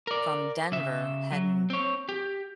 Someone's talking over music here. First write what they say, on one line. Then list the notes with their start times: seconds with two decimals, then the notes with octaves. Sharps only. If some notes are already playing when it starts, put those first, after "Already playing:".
from Denver heading
0.07 A#4 D5
0.72 C#3 E5
1.32 F#3
1.70 C4 C#5
2.09 G4